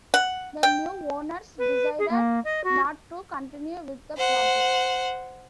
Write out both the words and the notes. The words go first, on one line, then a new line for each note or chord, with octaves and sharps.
The new owners decided not to continue with the project.
F#5
G5
B4
G#4
A#3
D#5
F#4
C5 F#5